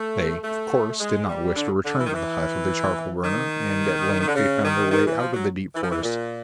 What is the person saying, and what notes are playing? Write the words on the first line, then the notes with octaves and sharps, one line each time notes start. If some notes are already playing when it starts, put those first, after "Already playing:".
They, of course, did not wish to return to the hut of the charcoal burner, and at length they found their way out of the deep forest.
Already playing: A3
A3
G#3
G3
D3
D3
E3
D#3
E3
D#3
D#3
D3
C#3
D#3
D#3
E3
F3
F#3
E3
F3
E3
A#2